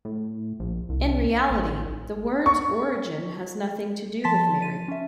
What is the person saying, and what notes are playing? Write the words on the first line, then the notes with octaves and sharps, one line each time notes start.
In reality, the word's origin has nothing to do with Mary.
A2
A#1
C2
A1
C#6
F3 A5 C6 A6 B6
D#7
C#4 E5